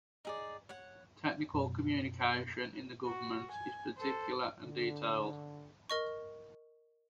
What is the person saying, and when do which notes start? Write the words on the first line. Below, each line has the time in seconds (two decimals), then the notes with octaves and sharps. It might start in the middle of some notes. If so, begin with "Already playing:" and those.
Technical communication in the government is particular and detailed.
0.25 D#4 G#4 D5
0.69 C#5 F#5
1.54 F#2 B2
3.06 F#4
3.51 G#5
3.97 A4 C5
4.64 D3
5.90 A#4 D#5 C#6